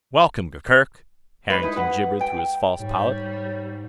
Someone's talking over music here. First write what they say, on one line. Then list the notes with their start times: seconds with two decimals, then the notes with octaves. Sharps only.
"Welcome, Gurgurk," Harrington gibbered through his false palate.
1.50 D4 B4
1.63 D#4 E4
1.76 B4 F#5
2.21 G5
2.80 G#2 G3 C#5